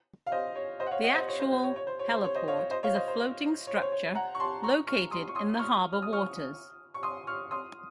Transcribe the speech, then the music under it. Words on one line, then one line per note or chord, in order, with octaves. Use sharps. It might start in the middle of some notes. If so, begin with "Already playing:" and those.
The actual heliport is a floating structure located in the harbour waters.
F5
C5 D#5
C#5
C5 D#5
F#5
C#5 F5
D#5 F#5
C5 D#5
C#5
C5
C5
C#5
C#5
C5
C#5
C5
C#5
C5 D#5
C#5 F5
C#5
C5 D#5
C#5 F5
C5 D#5
C5
C#5
C5
C#5
C#5
F#5 A#5
C#6
A5 C6
A#5 C#6
C#6 F6
C6 D#6
C#6
C6 D#6
C#6 F6
F6
D#6
C#6 F6
C#6
C6 D#6
C#6 F6
C6 D#6